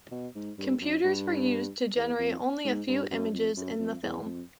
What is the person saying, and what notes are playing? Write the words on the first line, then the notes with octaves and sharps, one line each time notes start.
Computers were used to generate only a few images in the film.
B2
G#2
G2
F#2
G2
E2
F2
G#2
G2
F#2
F2
F#2
F2
E2
F2